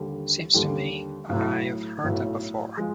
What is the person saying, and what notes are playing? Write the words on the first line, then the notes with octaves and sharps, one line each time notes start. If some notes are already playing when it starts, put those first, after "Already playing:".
Seems to me I've heard that before.
Already playing: D#2 D3 G3
D#2 D3 G3
B1 A2 F#3
B1 A2 F#3
F3 G#3